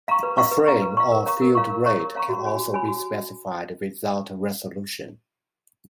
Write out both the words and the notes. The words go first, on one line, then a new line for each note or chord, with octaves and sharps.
A frame or field rate can also be specified without a resolution.
F5 A#5 C#6
B4
F5 A#5 C#6
B4
F5 A#5 C#6
B4
F5 A#5 C#6
A#4
C#5 F5 A#5 C#6
A#4
C#5 F5 A#5 C#6
A#4
C#5 F5 A#5 C#6
A#4
C#5 F5 A#5 C#6
F#4
C#5 G#5 B5
F#4
C#5 G#5 B5
F#4